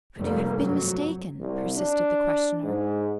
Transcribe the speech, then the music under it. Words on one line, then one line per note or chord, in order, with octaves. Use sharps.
"Could you have been mistaken?" persisted the questioner.
F1 G2 G3 A#3
F2 F#3
C2
D4
G#2